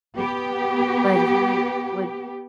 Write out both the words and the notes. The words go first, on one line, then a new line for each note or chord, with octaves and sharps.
But he would
B3 G4